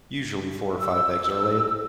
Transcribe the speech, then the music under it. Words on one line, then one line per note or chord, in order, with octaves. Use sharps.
Usually, four or five eggs are laid.
E6